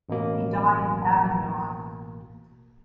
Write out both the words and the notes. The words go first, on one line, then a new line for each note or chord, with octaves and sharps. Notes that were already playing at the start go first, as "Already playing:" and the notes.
He died in Avignon.
A1 B2 A#3